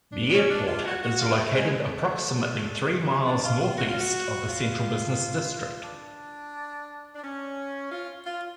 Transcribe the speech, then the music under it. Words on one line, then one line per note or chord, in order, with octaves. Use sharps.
The airport is located approximately three miles northeast of the central business district.
D4
B3
C#4
D4
F4
F#4
F#4
F4
A3
G#3
A3
C#4
D4
F4
F4
F#4
F4
F#4
F4
D4
D4
C#4
F4
F4